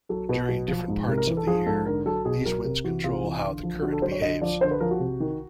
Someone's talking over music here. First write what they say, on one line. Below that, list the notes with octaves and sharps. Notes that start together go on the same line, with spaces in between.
During different parts of the year these winds control how the current behaves.
F#3 A4
B2 B4
F#3
F3
G#2
C3 A#4
A#4
E3 B4
A4
F3 G#4
G#2 A4
D3 A#4
F#3 A4
B2 G#4
F#3 A#4
C3 A#4
E3 F#4
C3 F4
E3
D3
F3
D3 F#4
A4
F#3 C5
C#5
D3 D#5
F3 D5
D3 C5
B4
F3 A#4
F#4
C3
D#3